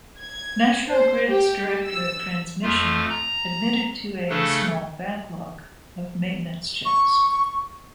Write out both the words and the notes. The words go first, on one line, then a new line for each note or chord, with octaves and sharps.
National Grid's Director Of Transmission admitted to a "small backlog" of maintenance checks.
G#6
C5
G4
E6
F2 A3 F4
A#5
C#3 A3 D4 A4
C#6